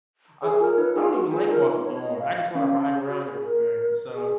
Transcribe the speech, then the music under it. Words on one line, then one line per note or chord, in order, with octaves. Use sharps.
I, uh, I don't even like walking no more, I just wanna ride around everywhere, so
G#4 C#5
F4 A#4
D#4 B4
D#4 G#4
F#4 B4
F4 G#4
D#4 A#4
B4
C#5
D#5
F5
F5
C#4 F5
F5
F5
G#4
F#4
G#4
A#4
G#4